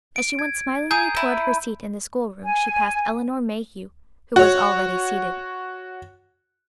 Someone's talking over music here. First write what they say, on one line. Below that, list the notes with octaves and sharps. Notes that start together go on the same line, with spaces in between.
As she went smilingly toward her seat in the schoolroom she passed Elinor Mayhew, who was already seated.
D7
G#6
G#4 A#5 G6 D#7
E4
G#5
F#4 C#5